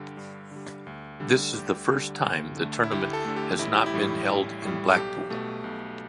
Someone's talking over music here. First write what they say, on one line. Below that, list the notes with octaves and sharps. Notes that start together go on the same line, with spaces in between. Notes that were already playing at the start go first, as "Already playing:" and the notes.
This is the first time the tournament has not been held in Blackpool.
Already playing: G2 D3 G3 G4
G2
D3 G3
D2
D3 G3
D2 G4
D3 G3
D2
D3
A3
E4
D2 G4
A4
D3 A3
G4
A1 E4
G4
E4
A2 G3
A1
A2 G3
A4
B1 G4
B2 A3
B1